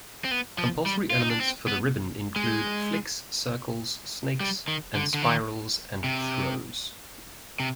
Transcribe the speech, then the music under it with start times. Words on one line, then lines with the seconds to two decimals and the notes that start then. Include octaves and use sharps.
Compulsory elements for the ribbon include flicks, circles, snakes and spirals, and throws.
0.25 C4
0.31 B3
0.58 F3
0.86 G3
1.10 F4
1.20 D#4
1.30 D4
1.40 C4
1.68 B3
2.36 G#3
4.40 G3
4.68 D#3
4.95 D3
5.14 D3
5.22 D#3
6.04 C3
7.60 C3